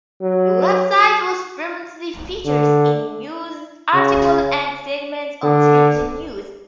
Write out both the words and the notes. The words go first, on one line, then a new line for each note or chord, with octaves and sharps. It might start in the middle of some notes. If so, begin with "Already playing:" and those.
The web site was prominently featured in news articles and segments on television news.
F#3
D3
C#3
D3